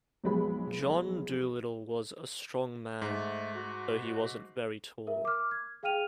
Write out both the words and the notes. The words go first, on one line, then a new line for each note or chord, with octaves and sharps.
John Dolittle was a strong man, though he wasn’t very tall.
B1 F2 F#3 G#3 B3 B5
G#2 A3
F#4
A#4 E5
D6 F6
G#6
G#4 F5 G5 F6 D#7 F7